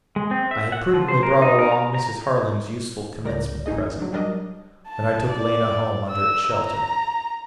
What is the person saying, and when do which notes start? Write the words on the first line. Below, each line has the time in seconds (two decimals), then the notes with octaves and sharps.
I had prudently brought along Mrs. Harling's useful Commencement present, and I took Lena home under its shelter.
0.16 G#3
0.31 C4
0.51 E5
0.72 F#5
0.93 F3
1.08 C5
1.23 A#4
1.42 D#4
1.59 A#4
1.72 A#5
1.94 A#5
3.25 C#2 A#4 D5 A#6
3.66 A1 A2 D#4 G#4 D#5
4.00 F#3 D4
4.12 F#3 G3 D4 A#4 D#5
4.89 A5
5.30 D5
6.10 E6
6.53 A#5